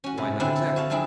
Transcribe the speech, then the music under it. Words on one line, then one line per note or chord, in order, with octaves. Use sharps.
Why not exactly?
C#4 F#4
A2 C3
D3 C4 E4 F#5 G#5 A5
A4
F#4 F5 A5
F3 F#3 C4 D4 E4 G#4